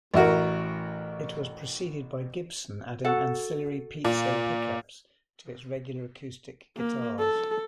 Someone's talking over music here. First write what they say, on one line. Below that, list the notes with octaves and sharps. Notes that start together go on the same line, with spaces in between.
It was preceded by Gibson adding ancillary piezo pickups to its regular acoustic guitars.
A1 E4 F#4 A#4
F#4 A4 F#5
A#2
A#3
A4